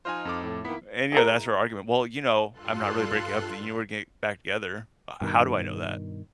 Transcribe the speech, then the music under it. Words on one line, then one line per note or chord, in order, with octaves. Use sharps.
And, you know, that's her argument, "Well, you know, I'm not really breaking up, th you know we're get back together." H how do I know that?
F3 D#4 F4 C5 D#5 G#5
F2 A4 D6
A2
D#3 A#3 B3 E4 B6
G#3 E4 A#4
G2 F4 A4 C6 F#6
G2 B2 D#3